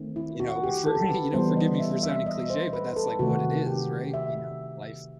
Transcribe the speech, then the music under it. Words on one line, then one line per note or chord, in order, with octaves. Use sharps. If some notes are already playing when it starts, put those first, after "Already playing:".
You know, for you know, forgive me for sounding cliche, but that's, like, what it is, right, you know, life
Already playing: D#3 A3 C4
E4
F#4
G4
A4
B4
E3 G3 B3 C5
D#5
E5
E5
D#5
C5
B4
A4
C3 D#3 A3 F#4
G4
E5